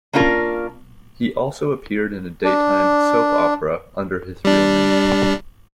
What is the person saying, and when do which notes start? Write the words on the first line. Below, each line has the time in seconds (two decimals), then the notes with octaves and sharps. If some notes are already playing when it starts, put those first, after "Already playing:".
He also appeared in a daytime soap opera under his real name.
0.13 A#3 C#4 D4 F4 A#4
2.44 D4
4.45 G3 D4